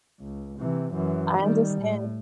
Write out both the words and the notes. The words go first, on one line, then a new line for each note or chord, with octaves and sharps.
I understand.
C#2
C3 E3
F#2 E3
D#3 G3
A2